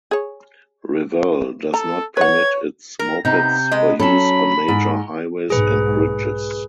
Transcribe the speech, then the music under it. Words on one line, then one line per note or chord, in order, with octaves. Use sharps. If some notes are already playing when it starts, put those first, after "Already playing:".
Revel does not permit its mopeds for use on major highways and bridges.
G#4 C#5
A4 A#5
B4 C#5 F#5 G#6
A#4 A#6
C3 B3 D#4 G6
G#3 B3 D#5
F#3 C#4 A4 A5 B5
G#2
B1 G#2 G#4 B4